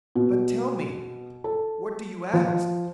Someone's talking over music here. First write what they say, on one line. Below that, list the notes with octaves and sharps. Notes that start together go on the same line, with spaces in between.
"But, tell me, what do you ask?"
B2
A4
F3